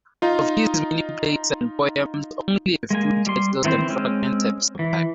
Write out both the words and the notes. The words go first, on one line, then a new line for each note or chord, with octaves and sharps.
Of his many plays and poems only a few titles and fragments have survived.
D#4 F4
G#3 A#3 G#5
G3 C6
D#3 E3 C4 E4 C5
G#3 C4 C#4
E3